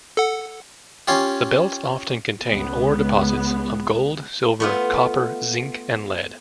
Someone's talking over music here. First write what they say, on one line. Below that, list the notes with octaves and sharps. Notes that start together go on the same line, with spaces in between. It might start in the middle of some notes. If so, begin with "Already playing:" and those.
The belts often contain ore deposits of gold, silver, copper, zinc and lead.
A4 F#5
C#4 F4 G4
C#2 B3
A3 B3 F4